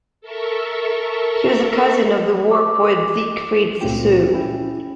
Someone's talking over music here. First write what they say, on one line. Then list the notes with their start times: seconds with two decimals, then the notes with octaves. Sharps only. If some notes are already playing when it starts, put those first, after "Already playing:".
He was a cousin of the war poet Siegfried Sassoon.
0.21 A4 A#4 E5 C#6
2.51 D6
3.81 C#2 A#2 A3 C4 F4 G5
4.33 C#4 E4 G5